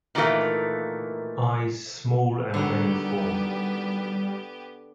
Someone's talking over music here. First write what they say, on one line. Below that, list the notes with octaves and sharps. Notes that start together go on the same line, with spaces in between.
Eyes small and reniform.
A#2 D#3 E3 G3 A3 A#3
D3 D#3 F#3 G3 B3 G4 C#5